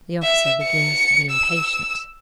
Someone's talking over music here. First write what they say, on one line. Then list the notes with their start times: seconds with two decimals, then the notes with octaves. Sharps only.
The officer begins to be impatient.
0.23 E5
0.63 C#7
1.31 E6